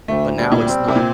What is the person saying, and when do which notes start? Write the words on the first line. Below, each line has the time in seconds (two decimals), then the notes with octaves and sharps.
but now it's not
0.08 D2 A3
0.37 G3
0.52 A#2
0.66 C4
0.88 C3
0.96 A#2